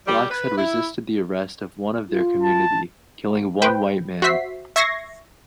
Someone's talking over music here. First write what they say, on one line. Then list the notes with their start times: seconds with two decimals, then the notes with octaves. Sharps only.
Blacks had resisted the arrest of one of their community, killing one white man.
0.07 G3
0.30 B4
0.58 E4
2.10 F4
2.43 A5
3.62 B4 C5 G5
4.22 F#4 C5 E5 B6 C7
4.76 E5 C#6 G#6 A#6 C7